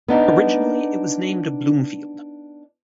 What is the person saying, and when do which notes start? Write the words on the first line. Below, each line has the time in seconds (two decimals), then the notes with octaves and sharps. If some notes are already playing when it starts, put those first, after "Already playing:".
Originally it was named Bloomfield.
0.08 B3 D4 D#4